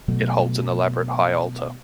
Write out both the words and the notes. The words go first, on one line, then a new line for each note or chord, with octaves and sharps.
It holds an elaborate high altar.
B2 F#3 A3